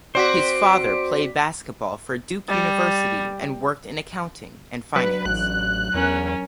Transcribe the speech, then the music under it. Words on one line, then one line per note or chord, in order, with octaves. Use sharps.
His father played basketball for Duke University and worked in accounting and finance.
C4 F#4 C5 D5 D6 B6 D7
G3
F#3 D4 B4
A1 F#6
E2 C#4 A#4